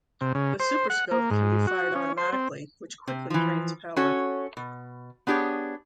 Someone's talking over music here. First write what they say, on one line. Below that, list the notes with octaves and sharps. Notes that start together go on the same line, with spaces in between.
The Super Scope can be fired automatically, which quickly drains power.
C3
C#3
C5
F#5
A#3
G#2
F#4
C#4
C5
C4
C3
E3 F3
C#4 F#4 A4 C#5
B2
B3 D4 G4 G#4 C#5